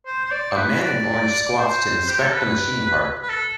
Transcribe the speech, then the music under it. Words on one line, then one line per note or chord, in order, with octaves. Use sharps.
A man in orange squats to inspect a machine part.
C5
C5
D5
C5
B4
D5
C5
G4
A4
B4
B4
A4